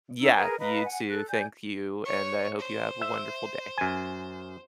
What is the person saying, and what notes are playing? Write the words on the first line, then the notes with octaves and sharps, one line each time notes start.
Yeah, you too. Thank you, and I hope you have a wonderful day.
C#4 D#4 E6
G#4 A#4 B4 A#5
B4 D#5 F5 A#5
F#5 G#5
A4 F#6
D5 G#5 G6
C#5 C#6
C5
E5
F#2 G#5